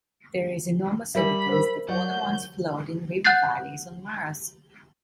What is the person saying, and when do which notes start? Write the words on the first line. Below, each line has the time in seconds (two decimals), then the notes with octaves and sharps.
There is enormous evidence that water once flowed in river valleys on Mars.
1.15 G3 D4 A#4 E5 B5
1.49 A#4 C5
1.89 F#3 D5 F#5 G6
3.24 F#5 F#6 G6 A6 C7